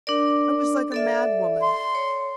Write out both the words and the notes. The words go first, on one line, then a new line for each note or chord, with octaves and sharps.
I was like a madwoman.
D4 A#4 D5
A4 D5 E5
C6
C#5